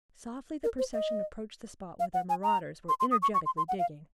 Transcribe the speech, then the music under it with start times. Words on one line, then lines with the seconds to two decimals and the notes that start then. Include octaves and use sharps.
Softly the procession approached the spot where the marauders were energetically digging.
0.64 A#4
0.79 C5
0.93 D#5
2.00 F5
2.14 F#5
2.29 G#5
2.43 A#5
2.89 C6
3.00 C6
3.11 D#6
3.22 C#6
3.34 C#6
3.46 C6
3.57 C6
3.69 F#5
3.79 F5